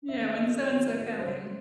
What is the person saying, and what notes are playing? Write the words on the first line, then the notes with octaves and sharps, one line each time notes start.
Yeah, when's so-and-so coming.
D#3 E5
F#3 A3 D#5
D#3 C#5
F#3 A3
C#3 C5